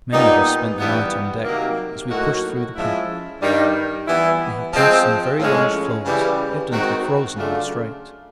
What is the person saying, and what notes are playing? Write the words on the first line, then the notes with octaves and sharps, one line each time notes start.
'Many of us spent the night on deck as we pushed through the pack.' We have passed some very large floes evidently frozen in the strait.
A#2 G3 B3 D#4
G2 E3 G3 B3
C3 D#3 F#3 A#3
A2 F#3 A#3 D#4 F#4
F3 G#3 C#4 E4
G2 D#3 G3
E3 G3 B3 E4
F3 G#3 C4
A2 F3 G#3 C#4
C#3 E3 G3
D#3 G#3 C4 D#4 F#4
C#3 F#3 A3 D4 F4